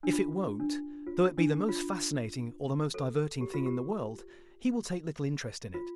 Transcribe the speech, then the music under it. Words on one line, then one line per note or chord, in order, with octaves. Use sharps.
If it won't, though it be the most fascinating or the most diverting thing in the world, he will take little interest in it.
D4
F4
D4
F4
D4
F4
A4
G4
F4
G4
F4